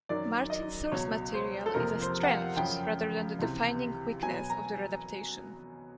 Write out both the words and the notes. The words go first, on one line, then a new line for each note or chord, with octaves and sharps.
Martin's source material is a strength rather than the defining weakness of their adaptation.
F#2 D#3 F#3 D5
D#5
C#2 B2 F#3 C#5
C5
A4
F2 C3 F3 A#3 A#4
C5
F#5
F5
F#2 C#3 F3 G5
C#2 C3 E3
B2 F#3 B3 G#5
A#5